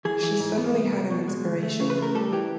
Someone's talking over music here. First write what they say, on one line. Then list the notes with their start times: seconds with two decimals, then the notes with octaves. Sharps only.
She suddenly had an inspiration.
0.05 E3 G#4
0.23 E3
0.40 G#2
0.58 B3
0.75 C2
0.92 C2
1.10 B2
1.28 G#3
1.45 D2
1.63 A3
1.80 C#3
1.90 B4
1.98 A3 A#4
2.15 G3 A4
2.33 E3 G4